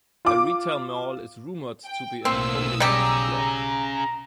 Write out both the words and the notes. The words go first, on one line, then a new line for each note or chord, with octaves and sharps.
A retail mall is rumoured to be in the podium of the block.
F4 D6
G5
B1 A2 A#3 C4 D#6 E6
G3 C#4 G4 G#4 A#5